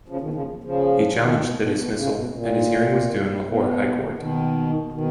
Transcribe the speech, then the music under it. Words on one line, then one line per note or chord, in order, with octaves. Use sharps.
He challenged the dismissal and his hearing was due in Lahore High Court.
C#3 F3
B2 D#3
C#3 F3
C#3 F3
B2 D#3
B2
B2
B2
C#3
B2
A#2
A#2
B2
B2 D#3
B2 D#3